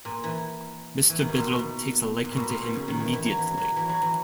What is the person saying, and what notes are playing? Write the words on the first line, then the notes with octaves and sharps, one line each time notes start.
Mr. Biddle takes a liking to him immediately.
A#2
E3
E3
D#3
B2
A#2
B2
A#2
B2
A#2
A#2
B2
C#3
D#3
E3
E3
F#3
E3
F#3
E3
F#3
E3